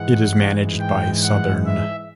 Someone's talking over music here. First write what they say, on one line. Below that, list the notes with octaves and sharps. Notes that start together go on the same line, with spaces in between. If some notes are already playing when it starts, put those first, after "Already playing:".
It is managed by Southern.
Already playing: G#2 E3 G#3 F#5
G5
F#5
E5